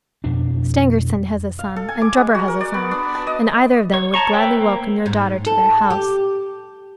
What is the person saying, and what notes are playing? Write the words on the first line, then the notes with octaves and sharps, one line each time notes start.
Stangerson has a son, and Drebber has a son, and either of them would gladly welcome your daughter to their house.
F2 B2 D4
F5
A4
G#5
D6
G#3
F#4
A#4
D5
B3
D4
A5
D#5
C#5
C#5 A5 A#5 C#6
B4 C5 E5 G5
A#3
G#2
A4
G4